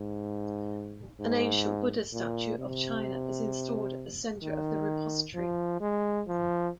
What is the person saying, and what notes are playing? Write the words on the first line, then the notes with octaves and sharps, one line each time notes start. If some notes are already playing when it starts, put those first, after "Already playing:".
An ancient Buddha statue of China is installed at the centre of the repository.
Already playing: G#2
G#2
A#2
C3
D#3
F3
G#3
F3